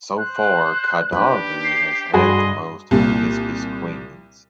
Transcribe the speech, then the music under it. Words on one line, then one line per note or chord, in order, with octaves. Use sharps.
So far Kadavu has had the most Hibiscus Queens.
C5 F#6
D4 G4 B4
C7
G2 F#4 G#4 D#5 B5 C6
C2 A#2